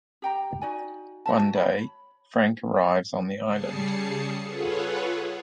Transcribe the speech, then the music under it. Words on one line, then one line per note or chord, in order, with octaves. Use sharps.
One day, Frank arrives on the island.
G4 G5 A#5
D#4 F#4 D5 G#5
F#4 E5 A5
C#5 B5
C#3 G3 G#4 A5 C7 C#7
F4 G#4 A4 B4 C#5 F#5